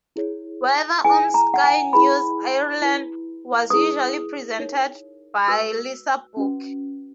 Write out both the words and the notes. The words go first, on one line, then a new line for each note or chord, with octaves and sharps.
Weather on Sky News Ireland was usually presented by Lisa Burke.
E4 G#4 C#5
E4 G#4 B4 G#5
A#5
F#5
G#5
E4 G#4 B4 B5
E4 B4
E4 G#4 B4 D#6
D#4 A#4 C#5
F#4 B4 E6
C#4 F#4 B4